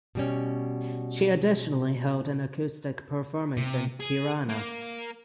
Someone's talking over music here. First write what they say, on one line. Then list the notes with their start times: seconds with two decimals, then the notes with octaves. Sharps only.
She additionally held an acoustic performance in Tirana.
0.15 B2 G3 C#4
3.57 C3
4.00 G#4
4.49 A#3